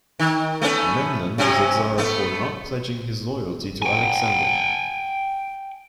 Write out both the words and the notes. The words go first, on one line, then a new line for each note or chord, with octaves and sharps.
Memnon is exiled for not pledging his loyalty to Alexander.
D#3
A3 B3 C#4
C3 F#3 C#4
A3 B3
G5 G#5